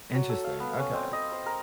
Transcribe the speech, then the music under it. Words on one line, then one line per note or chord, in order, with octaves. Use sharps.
Interesting, okay.
F#3
A4
F5
B3
C#4
C4
D#5
C5
A#4